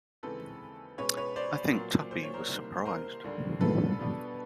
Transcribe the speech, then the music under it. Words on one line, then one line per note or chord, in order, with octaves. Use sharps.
I think Tuppy was surprised.
D#2 C#3 E3 G#3 C4 A4 B4
B2 G#3 C#4 B4 C#5
B4 C#5
C5 D5
A#2 F#3 A#3
C5
C#5
A#4 C5
C2 C3 D#3 G3 A#3
A#4 C5
D#2 D3 G3
A4 B4
B2 G3 B3 D4